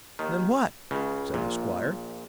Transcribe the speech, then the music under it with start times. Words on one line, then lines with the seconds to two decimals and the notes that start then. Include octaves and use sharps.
"Than what?" said the Squire.
0.19 D#2 D#3
0.91 C#2 C#3
1.34 A#1 A#2